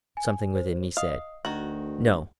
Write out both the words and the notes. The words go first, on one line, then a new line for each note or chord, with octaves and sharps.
Something within me said, "No!"
G#5
C5
D#5 F5 D#6
D2 D#3 F#4 F#7